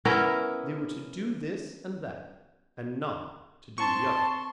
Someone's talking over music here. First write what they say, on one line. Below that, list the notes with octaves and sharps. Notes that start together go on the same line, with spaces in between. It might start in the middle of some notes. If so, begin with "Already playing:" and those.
They were to do this and that, and not to do the other.
B3 C#4 E4 A#4
C4 A5 C6 C#6